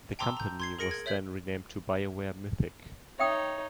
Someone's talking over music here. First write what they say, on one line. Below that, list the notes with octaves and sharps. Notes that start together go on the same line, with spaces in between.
The company was then renamed to BioWare Mythic.
G5 A5 A#5 C6 D6 E6
A#5 G6
C6 G#6 C7
G#4 A#4 A#6 C#7 D7 F#7
G#6
C#5 E5 G6 F#7
D#4 C#5 E5 G5 D#6